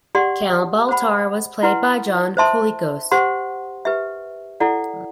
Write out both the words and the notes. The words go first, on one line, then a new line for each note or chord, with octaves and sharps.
Count Baltar was played by John Colicos.
G4 D5 F#5 C6
C5 F#5 B5
E4 B4 F#5 C6
C5 E5 A5 C6
G4 C5 F#5 C6
G4 B4 E5
E4 A4 D5 F#5